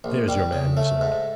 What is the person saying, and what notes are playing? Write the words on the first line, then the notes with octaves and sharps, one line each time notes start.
'There's your man,' he said.
A#1
G3
C#3
A3
G#2